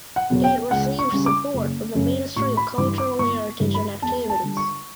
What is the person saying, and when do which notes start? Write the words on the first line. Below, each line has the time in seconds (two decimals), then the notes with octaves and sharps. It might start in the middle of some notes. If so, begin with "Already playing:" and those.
It received support from the Ministry of Cultural Heritage and Activities.
0.16 F#5
0.30 E2 B2 F#3
0.44 G5
0.71 C#2 F#5
0.99 C#6
1.12 C#3 G3
1.26 D6
1.54 F#1
1.95 F#2 C#3 F#3
2.36 A1 C#6
2.57 B5
2.78 G2 E3 G3 D6
2.98 D6
3.19 G1 C#6
3.60 G2 E3 G3
3.75 B5
4.02 E2 A5
4.30 A5
4.43 D3 G3
4.57 C#6